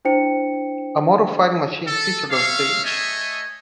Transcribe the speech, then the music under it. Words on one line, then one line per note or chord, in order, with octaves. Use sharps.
A model Fighting Machine featured on stage.
D4 E4 C5 G5 C#7
A4
C#5 E5 F5
A3 C#5 D#5 E5 G#5